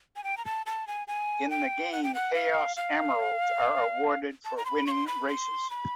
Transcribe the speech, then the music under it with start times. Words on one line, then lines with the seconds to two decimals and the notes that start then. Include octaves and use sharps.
In the game, Chaos Emeralds are awarded for winning races.
0.16 G#5
0.24 G5
0.37 A#5
0.45 A5
0.66 A5
0.87 G#5
1.08 G#5
1.50 G5
1.92 F#5
2.03 G5
2.15 F#5
2.34 F5
2.76 F5
4.45 A5
4.57 A#5
4.65 C6
4.69 B5
4.87 C#6
4.91 C6
5.07 B5
5.29 C6
5.70 B5